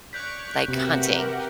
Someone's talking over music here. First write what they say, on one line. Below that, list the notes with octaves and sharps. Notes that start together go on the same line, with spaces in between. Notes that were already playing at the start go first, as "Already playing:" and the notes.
like, hunting,
C#5 D5 C#6 F#6 G6 B6
C3 F#4 G4 A#4 B4 E5 F#5